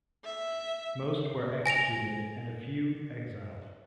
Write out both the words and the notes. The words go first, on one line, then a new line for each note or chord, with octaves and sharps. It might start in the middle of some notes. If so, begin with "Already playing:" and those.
Most were executed and a few exiled.
E5
G#5 A#6 D7 F7